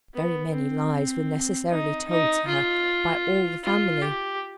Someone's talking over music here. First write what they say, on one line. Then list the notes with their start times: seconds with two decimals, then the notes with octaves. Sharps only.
Very many lies were necessarily told her by all the family.
0.14 B3
0.53 C4
1.69 D#4
2.07 D#4
2.47 F4
3.64 F4
4.02 G4